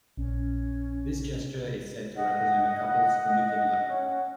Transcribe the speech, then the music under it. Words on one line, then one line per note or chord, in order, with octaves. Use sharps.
This gesture is said to represent a couple's committed love.
A#1 C#4
D#5 F#5
C#4